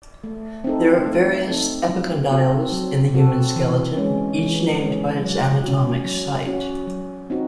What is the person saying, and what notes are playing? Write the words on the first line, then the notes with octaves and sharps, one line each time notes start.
There are various epicondyles in the human skeleton, each named by its anatomic site.
A3
C4 D#4 A4
A3
C4 D#4 A4
F#3
C4 F#4 A4
F#3
C4 F#4 A4
E3
G#3 C#4
E3
G#3 C#4
F#3
C#4 F#4
F#3
C#4 F#4
F#3
C4 D#4 F#4